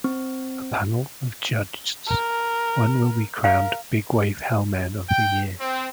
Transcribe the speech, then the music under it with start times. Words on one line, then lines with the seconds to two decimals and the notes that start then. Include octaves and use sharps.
A panel of judgeds, one will be crowned "Big Wave Hellmen of the Year".
0.04 C4
2.07 A#4
3.44 A#4 F5
5.08 G5
5.60 C4